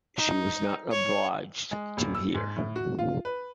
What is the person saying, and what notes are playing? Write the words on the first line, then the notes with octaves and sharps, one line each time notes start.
She was not obliged to hear.
D#4
C#5
G#3
D#1
E6
G#2
A2
F#4
F4
B4